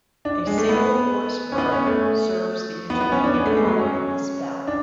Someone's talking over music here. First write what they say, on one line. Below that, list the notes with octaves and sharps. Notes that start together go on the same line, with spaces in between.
A single forest road serves the intermediate part of this valley.
D4
G#3
A3
B3
C#4
B3
C#4
A3
B3
B3
C#4
D4
B3
A3
G#3
F#3
C#4
D4